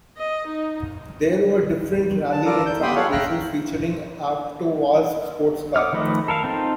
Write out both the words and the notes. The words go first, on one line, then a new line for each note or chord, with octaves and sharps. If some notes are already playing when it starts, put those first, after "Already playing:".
There were different rally and track races featuring Avtovaz sports cars.
D#5
D#4
A5
F4 A4 A#4 D5
G6
G4 G5 B5 C6 D#6
F4 G#4 A4 C#5 F5 F#5
E5 F5 G5 A#5 F6 F#6
F#5 D6 D#6 F6
D#3 F3 A3 B4 D#5
A4 A#4 F5
C4 D#4 F4 A4